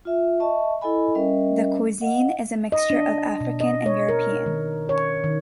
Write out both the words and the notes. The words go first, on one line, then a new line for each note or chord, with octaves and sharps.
The cuisine is a mixture of African and European.
F4 E5
D#5 E5 A5 C#6
E4 A4 D#5 G#5 B5
G3 C#4 A#4 D#5 E5
D#5 F5 F#5
D#5
D4
B2
D#5
C#5
A#4
D#3
C#5
D#3